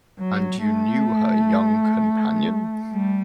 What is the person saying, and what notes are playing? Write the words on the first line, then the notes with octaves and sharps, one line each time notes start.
And you knew her young companion?
F#3
A3
G3